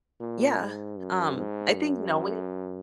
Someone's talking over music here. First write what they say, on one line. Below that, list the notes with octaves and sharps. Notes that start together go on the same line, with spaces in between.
yeah, um, I think knowing
A#2
G#2
F#2
G#2
F#2